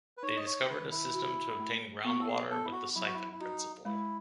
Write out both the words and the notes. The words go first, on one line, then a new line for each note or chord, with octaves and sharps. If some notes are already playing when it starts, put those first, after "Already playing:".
They discovered a system to obtain ground water with the siphon principle.
B4
D#4 C#5
D#5
C#5
D#3 B4
E4
F#4
A3
B3 F#4
A4
G#4
B3 A4
E4
F#4
F#3 E4
F#4
E4
E4
D#4 F#4
G#3 E4